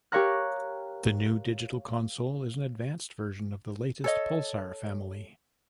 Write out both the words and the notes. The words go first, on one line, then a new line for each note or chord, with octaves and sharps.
The new digital console is an advanced version of the latest Pulsar family.
G4 A#4 C#5 F5 A#5 F#6
A4 C#5 D#5